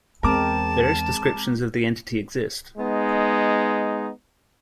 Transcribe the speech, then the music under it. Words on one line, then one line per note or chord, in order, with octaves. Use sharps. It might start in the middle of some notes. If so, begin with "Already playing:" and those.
Various descriptions of the entity exist.
E2 G#3 C4 A#4 A5 D6
G#3 B3 D#4